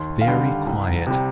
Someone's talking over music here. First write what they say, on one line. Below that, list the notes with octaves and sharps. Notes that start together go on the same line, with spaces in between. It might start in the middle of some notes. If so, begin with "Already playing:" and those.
Very quiet.
Already playing: D#2 C6
F5
D3 G3 G5
C2
C3 G3